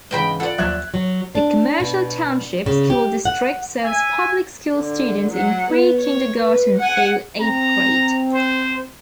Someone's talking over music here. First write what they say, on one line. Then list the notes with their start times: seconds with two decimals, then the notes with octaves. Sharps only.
The Commercial Township School District serves public school students in pre-kindergarten through eighth grade.
0.11 G#2 C#3 E3 D#5 G5 B5
0.40 F4 A4 D5 F#5
0.58 D#2 F3 F#3 E5 F#6 G#6
0.94 F#3
1.35 D4
1.80 B2
2.66 C#3
2.90 G4
3.25 F#5
3.84 E5 G#5
4.76 D3
5.30 F#3 F#5
5.70 B3
6.00 C#5
6.39 B4
6.78 F#5 G#5
7.41 C4 A#5
8.33 C5